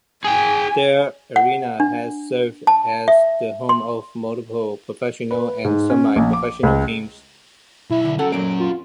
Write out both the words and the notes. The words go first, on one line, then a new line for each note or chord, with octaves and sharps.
The arena has served as the home of multiple professional and semi-professional teams.
G#4 G5 G#5
F#5
D4
A5
E5
C6
B4
G#2
C#4
A#1
D6
C#2
B1 E4 E5
D3
C#4 F#4 A4 F#5
A#2 F#3 A#3 D7
F4